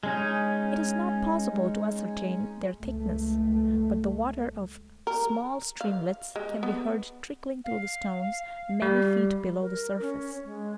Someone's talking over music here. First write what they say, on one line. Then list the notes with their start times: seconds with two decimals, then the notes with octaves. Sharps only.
It is not possible to ascertain their thickness, but the water of small streamlets can be heard trickling through the stones many feet below the surface.
0.03 G#3 C#4 D#4
2.80 F#1 C#2 A3
5.07 A#4
5.81 F5
6.36 G#3
6.63 B3
7.64 F5
8.82 G3
9.61 A#4
10.02 C#4
10.44 G#3